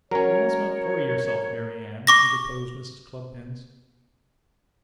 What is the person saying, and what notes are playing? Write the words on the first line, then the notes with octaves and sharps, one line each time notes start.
'You must not flurry yourself, Mary Ann,' interposed Mrs. Cluppins.
F#3 C#4 A#4 C#5
C#6 D6 A#6